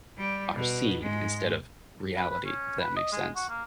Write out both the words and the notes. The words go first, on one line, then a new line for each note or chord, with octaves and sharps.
are seeing instead of reality, if that makes sense,
G3
B2
G#2 G#3
B4
B4
C#4
B4
D#5
G#3
F#4
A#3